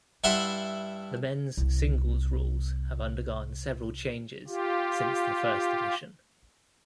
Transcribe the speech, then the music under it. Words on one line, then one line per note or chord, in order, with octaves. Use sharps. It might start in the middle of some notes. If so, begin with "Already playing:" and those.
The men's singles rules have undergone several changes since the first edition.
G2 E4 E5 F#5 B5 C6
C2 C3
F4 G4